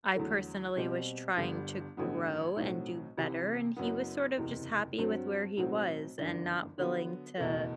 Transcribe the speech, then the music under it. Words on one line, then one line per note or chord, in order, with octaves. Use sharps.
I personally was trying to grow and do better. And he was sort of just happy with where he was and not willing to
E2 D3 F#3 A3
B2 G3 C4 G4 C5
G1 G2 D3 G3 B3
A1 G2 D3 F#3 B3
B1 A2 F#3 C4 F#4
C2 C3 E3
F#1 F#2 F#3 B3
F#1 E2 C3
G2 F#3 C4 F#4
B1 A2 F#3 C4 F#4
G1 F#2 E3 B3 D4
D3 F#3 B3
F#1 E2 B2 A3